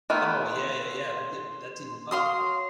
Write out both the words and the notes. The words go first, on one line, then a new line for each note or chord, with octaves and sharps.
Oh, yeah, yeah, yeah, that's even that's even tougher.
D#3 A3 B3 C6
F#4 C#5 F5 C6 D#6 C7